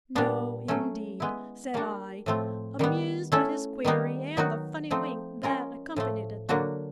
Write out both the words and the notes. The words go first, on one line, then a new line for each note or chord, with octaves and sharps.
"No, indeed," said I, amused at his query and the funny wink that accompanied it.
A#2 G3 B3 D4
F#3 A3 C#4
G#3 B3 E4
G3 A#3 D4 F#4
A2 F3 A3 C4 F4
D#3 G3 B3
A3 C#4 E4 A4
D#3 G3 B3 D#4
D#3 F#3 B3 D#4 F#4
F3 A3 C4 D#4
G#3 C#4 F4 A#4
A2 F3 A3
D3 F#3 A#3 D4 F#4